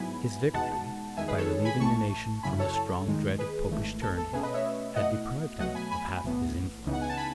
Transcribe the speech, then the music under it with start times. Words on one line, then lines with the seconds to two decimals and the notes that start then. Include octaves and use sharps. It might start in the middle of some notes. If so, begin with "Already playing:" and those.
His victory, by relieving the nation from the strong dread of Popish tyranny, had deprived him of half his influence.
Already playing: G#2 F#3 B3 E4 G#5 B5
0.54 E2 B2 G#3 D#4 F#5 A5
1.17 E2 D#3 G#3 D#4 E5 G#5
1.28 G#4 B4
1.38 A4 C#5
1.65 G#5 B5
1.80 A1 A2 E3 A3 A5 C#6
2.43 F#2 C#3 F#3 C#4 E4 G#5 B5
2.59 A4 C#5
2.75 A4
3.06 D#2 D#3 G#3 D#4
3.38 G#4 B4
3.69 G#1 G#2 E3 A3
4.02 A4
4.18 A4
4.33 B2 A3 C#4 G#4 B4
4.43 B4 D#5
4.54 C#5 E5
4.96 B2 A3 E4 D#5 F#5
5.59 B2 F#3 A3 D#5 F#5
5.75 G#5 B5
5.91 G#5 B5
6.23 B1 A2 E3 B3
6.86 C#2 C#3 E3 B3 D#4
6.93 F#5
7.01 G#5
7.09 A5
7.17 G#5 B5